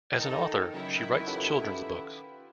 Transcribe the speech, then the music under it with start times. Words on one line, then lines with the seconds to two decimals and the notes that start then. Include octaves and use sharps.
As an author, she writes children's books.
0.17 D#3 D#4 A4
0.74 C#3 F#3 E4
1.26 C#4 F4 G4 A4 B4 F#5